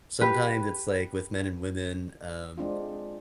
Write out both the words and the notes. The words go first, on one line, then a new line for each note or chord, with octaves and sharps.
sometimes it's like with men and women, um,
G4 B4
G#3 C4 D4 F4